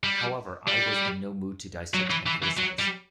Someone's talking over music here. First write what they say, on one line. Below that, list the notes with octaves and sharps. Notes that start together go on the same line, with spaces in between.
However, I was in no mood to dissect and criticize.
G3
G3
F#3
E3
E3
E3
F#3
G3